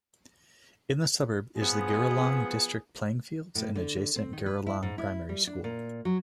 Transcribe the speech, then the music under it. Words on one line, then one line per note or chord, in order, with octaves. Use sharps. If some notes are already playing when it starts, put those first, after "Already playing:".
In the suburb is the Giralang District Playing fields and adjacent Giralang Primary School.
F3 B3 G#4
A2
D3
C4
D#3
B4
E4
G#2
E4
G3
D4
A#2
F#3